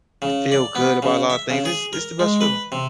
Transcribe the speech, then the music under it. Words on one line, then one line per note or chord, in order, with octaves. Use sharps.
feel good about a lotta things. It's it's the best feeling.
C#3
D5
B3
C#3
E5
C#3
G#4
A#4
G#3
B4
C3